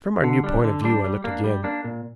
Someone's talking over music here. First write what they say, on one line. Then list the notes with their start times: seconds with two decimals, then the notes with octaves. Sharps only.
From our new point of view I looked again.
0.24 D3
0.44 G3 D4
0.64 D3
0.84 G3 D4
1.04 G3
1.24 A#3 D4
1.44 G3
1.64 A#3 D4
1.84 A#2